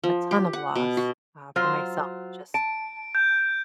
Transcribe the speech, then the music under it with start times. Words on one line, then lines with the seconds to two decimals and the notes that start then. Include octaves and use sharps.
a ton of loss, uh, for myself, just
0.04 F3
0.31 G4
0.53 F#5
0.75 B2
0.97 F#4
1.56 F#3 F4 C5
2.54 A5 D7
3.15 G6